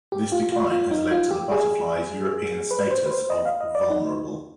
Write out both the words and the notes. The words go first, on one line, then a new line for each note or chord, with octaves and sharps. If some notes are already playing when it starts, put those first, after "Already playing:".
This decline has led to the butterfly's European status of "vulnerable".
G4
F4
F4
F4
D#4
F4
G4
G#4
B4
C5
B4
C5
D#5
F5
D#5
D5
D#4